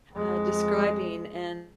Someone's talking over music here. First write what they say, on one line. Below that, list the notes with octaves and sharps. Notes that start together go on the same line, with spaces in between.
uh, describing, and
F2 G#3